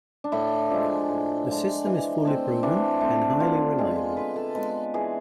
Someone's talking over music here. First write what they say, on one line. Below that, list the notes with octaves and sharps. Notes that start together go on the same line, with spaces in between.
The system is fully proven and highly reliable.
D4
A2 E4
F3 G#3 D4
A2
F3 G#3
E3
A3 C4
E3 D4
A3 C4
D3 F4
G#3 B3 G#4
D3 B4
A4
G#3 B3 B4
E3 G#4